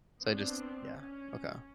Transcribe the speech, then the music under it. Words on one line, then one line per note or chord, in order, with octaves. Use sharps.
So I just Yeah, okay. I
B3 C4 D4
C#4